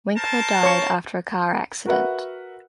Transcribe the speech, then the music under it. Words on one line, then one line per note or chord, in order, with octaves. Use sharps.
Winkler died after a car accident.
A#4 C5 A5
C#5 C#6
F#4 A#4 B4 E5 F#5